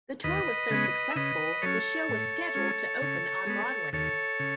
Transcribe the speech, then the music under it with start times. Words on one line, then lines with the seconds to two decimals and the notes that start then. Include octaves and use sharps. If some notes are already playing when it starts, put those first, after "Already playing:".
The tour was so successful, the show was scheduled to open on Broadway.
0.24 D#2 B4 D#5
0.70 C#3 G#3 B3
1.10 E5
1.16 C#3 B4 D#5
1.62 F#3 C#4 A4 C#5
2.09 A2
2.55 G#3 C#4
3.01 C#3
3.47 G#3 B3
3.93 D#2 A4 C#5
4.40 C#3